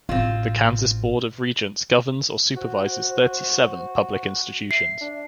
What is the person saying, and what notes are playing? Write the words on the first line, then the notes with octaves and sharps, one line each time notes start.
The Kansas Board of Regents governs or supervises thirty-seven public institutions.
A1 C4 F4
F#4 C5
E5 C7
D4